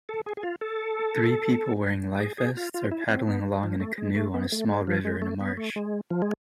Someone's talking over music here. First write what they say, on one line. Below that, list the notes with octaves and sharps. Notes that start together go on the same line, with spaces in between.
Three people wearing lifevests are paddling along in a canoe on a small river in a marsh.
A4
G#4
G#4
F4
A4
G#4
G#4
F4
F4
E4
C4
B3
F3
A3
G#3
A3
B3
A3
G#3
F3
G#3
A3
B3
A3
G#3
F3
G#3